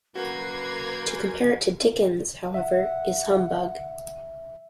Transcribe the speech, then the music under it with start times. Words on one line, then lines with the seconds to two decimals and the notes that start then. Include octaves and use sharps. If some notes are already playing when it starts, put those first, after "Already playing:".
To compare it to Dickens, however, is...humbug.
0.15 F#2 A#3 F#4 B4 G#6
2.54 E5 F#5